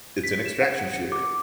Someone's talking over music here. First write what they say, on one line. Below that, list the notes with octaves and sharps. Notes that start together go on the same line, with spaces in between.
it's an extraction shooter.
B6
E7
F#5 G#6
F#5
C#7
D6